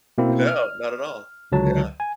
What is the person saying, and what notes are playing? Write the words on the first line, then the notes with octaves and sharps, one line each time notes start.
No. Not at all. Yeah.
B2 A#3 C4 E4
F6
C#2 D3 F#3 A5
G#5